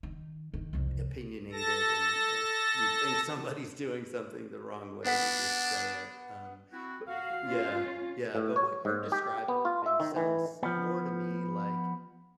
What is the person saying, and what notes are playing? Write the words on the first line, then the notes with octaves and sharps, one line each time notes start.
opinionated, and if you think somebody's doing something the wrong way, you just say it. Um, but, yeah, yeah, but what you're describing sounds more to me like,
D#3
D#3
C2 F2
A4 A5 A#6
B3 D4 F#5 B6
C4 E4 F#4
F#4 F5
C#4 F4
A2
C#5
G#2
G4
B3
F4
E5
D#3
E3
F3 B3